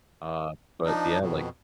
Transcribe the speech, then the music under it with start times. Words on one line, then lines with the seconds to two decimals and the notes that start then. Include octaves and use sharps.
Uh, but yeah, like
0.86 F3 D4 D#4
1.21 F2 B2